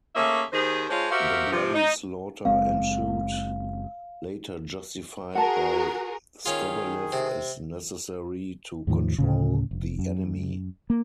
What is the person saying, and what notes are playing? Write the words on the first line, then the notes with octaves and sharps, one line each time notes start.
The bloody slaughter ensued, later justified by Skobelev as necessary to control the enemy.
A3 A#3 C#4 G#4 E5
D#2 D#3 G#4 C5
G#3 D4 F4 C5 C#5
F#4 G4 A#4 C5 E5 F5
C3 F3
D#4
F#1 G#3 C4 F5
F#4 G#4 A#4 F#5 A5
D#3 C#4 F4 G#4
C3
E2 A2 D#3 F3
D2 A2 C#3
F1
F#2
A#3